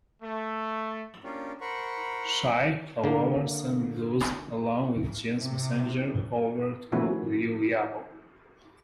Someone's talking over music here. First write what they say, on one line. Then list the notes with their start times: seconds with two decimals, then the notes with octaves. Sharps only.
Shi, however, sent those, along with Jin's messenger, over to Liu Yao.
0.23 A3
1.24 A#3 C#4 D4 F4 G4
1.61 A#4 C5 F#5 B5 C#6
3.04 D3 A#3
5.32 C3
6.92 D#3 F3 A3 C#4 E4 F#4